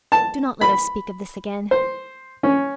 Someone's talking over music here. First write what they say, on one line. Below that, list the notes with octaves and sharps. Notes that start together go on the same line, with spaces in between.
Do not let us speak of this again.
A5
B5
C5
C#4